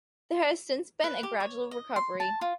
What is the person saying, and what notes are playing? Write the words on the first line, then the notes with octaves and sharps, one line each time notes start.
There has since been a gradual recovery.
B4
G4
C#5
D#5
C6
A5
F4